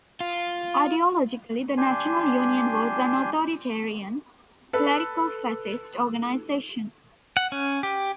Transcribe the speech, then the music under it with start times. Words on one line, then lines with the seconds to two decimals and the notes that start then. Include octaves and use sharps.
Ideologically, the National Union was an authoritarian, clerico-fascist organisation.
0.20 F4
1.77 D4 G4 G#5 C6
4.73 A4 B4
7.37 F#5
7.52 C#4
7.83 G4